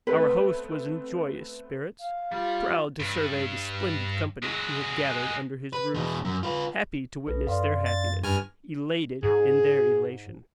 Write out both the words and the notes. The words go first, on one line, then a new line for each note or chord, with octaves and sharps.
Our host was in joyous spirits; proud to survey the splendid company he had gathered under his roof; happy to witness their happiness; elated in their elation.
A3 B3 C4 B4
F5
G3 F4
G2
G#3 F#4
B4
E2 B2
F#2
F4 B4
B1 A4 B4
F#2 D5 F5 C6
A6
G2 G#5 F6
G#2 G#4